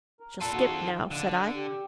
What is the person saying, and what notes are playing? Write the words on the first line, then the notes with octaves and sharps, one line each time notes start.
"She'll skip now," said I.
A#4
A#2 F4 A4 A5 B5
E2 D#4 F#4
D#3 F3
D3
G4